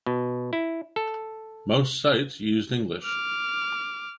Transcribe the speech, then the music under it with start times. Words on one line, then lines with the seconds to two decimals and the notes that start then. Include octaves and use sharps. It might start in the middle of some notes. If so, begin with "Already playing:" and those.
Most sites used English.
0.06 B2
0.53 E4
0.96 A4
3.04 D6 F6